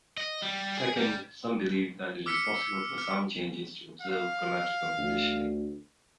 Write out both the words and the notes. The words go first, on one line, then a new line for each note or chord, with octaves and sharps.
Second, some believe that it is possible for sound changes to observe grammatical conditioning.
D#5
G3
G#4
G3
D6 E6 F6 B6 C#7
F6
F5
D2